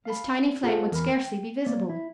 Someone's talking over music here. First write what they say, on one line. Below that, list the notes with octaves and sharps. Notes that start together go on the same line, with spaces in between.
This tiny flame would scarcely be visible.
F5 A5 B5
F4 G#4 A4 C5 F5 F#5
E2 A#4 B5
G5
A#3 C#5 D5
E4